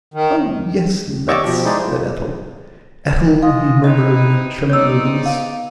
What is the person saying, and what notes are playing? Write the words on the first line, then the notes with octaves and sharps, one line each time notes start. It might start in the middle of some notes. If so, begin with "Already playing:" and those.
Oh yes lets said Ethel." "Ethel he murmered in a trembly voice.
D#3
G4 D5 D#5 C#6 D6 E6
B2 F3 G4
G#3 D#4 E4 G#4 C5 D5
F4
G#3 F4 D#5 F5
C4 D#4 E4 B4 D#5
B3 C4 D#4 C#5 D5 E6
F5